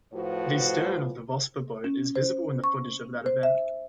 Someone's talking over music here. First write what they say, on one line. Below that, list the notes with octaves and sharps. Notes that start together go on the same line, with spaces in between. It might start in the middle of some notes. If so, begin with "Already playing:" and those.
The stern of the Vosper boat is visible in the footage of that event.
A2 F3 F4 F#4 B4 C5
C#4
C5
C#6
C5
E5